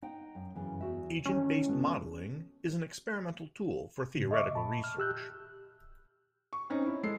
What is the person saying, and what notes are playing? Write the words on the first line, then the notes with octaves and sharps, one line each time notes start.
Agent-based modeling is an experimental tool for theoretical research.
D#4 F#5 G5
F#2
F#2 C#3 E3
E2 F#4 E5
D#3 E3 A3 C#4
A3 B3 F#4
A2 C#3
D#5 E5 C#6 D6
A#2 A5 B5
F6
G4 E6 F#6 G6
C#6
C4 C#4 D#4
E4
G#3 A4 C7